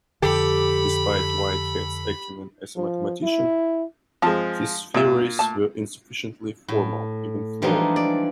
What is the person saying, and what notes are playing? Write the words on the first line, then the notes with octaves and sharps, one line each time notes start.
Despite Whitehead's acumen as a mathematician, his theories were insufficiently formal, even flawed.
F2 D3 G4 A4 B5
F3
E4
F3 G#3 C4 A5
A#2 G#3 E5
A3 A5
A2
E3 F3 G3 G#3 D4 D#4
D5